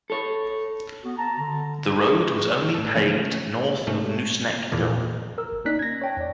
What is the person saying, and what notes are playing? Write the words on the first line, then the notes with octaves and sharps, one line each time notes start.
The road was only paved north of Nooseneck Hill.
A4 C#5
B3 F#4
A5 A#5
D3
G#4 B4 E5 C#6
A2 A4
C#3 E3 F3 A3 C#4
G#2 C3 A3 C#4
E2 A#2 F3
A#4 E6
G1
A#3 C#4 D#4 D5 F#6 B6
G#6 A#6
C#5 G5 A5
E2 D5